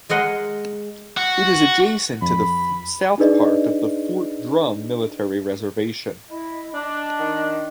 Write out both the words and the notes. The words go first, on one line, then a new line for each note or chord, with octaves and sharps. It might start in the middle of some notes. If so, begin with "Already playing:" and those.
It is adjacent to the south part of the Fort Drum military reservation.
G#3 A#4 D#5 F#5 C6
F#4
F2 B5
D4 D#4 G#4 B4 D5 D#5
E4 D#5 B5
D4 D#5
D#3